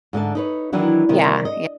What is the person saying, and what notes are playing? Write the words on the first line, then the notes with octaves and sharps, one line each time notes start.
Yeah, ye
G#2 D3 E5 A5
D#4 B4 C#5
D#3 E3 F#3 D4 E4
C3 D#3 G3
D#5